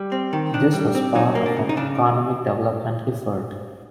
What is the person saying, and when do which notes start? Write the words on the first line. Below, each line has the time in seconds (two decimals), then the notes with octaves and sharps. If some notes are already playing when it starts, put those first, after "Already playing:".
This was part of an economic-development effort.
Already playing: G3
0.12 C4
0.33 D#3
0.54 D#3 D4
0.74 G3
0.95 C4
1.15 F#3 D#4
1.35 A#3
1.46 D4
1.57 C#3
1.69 D#4
1.77 C#3 D4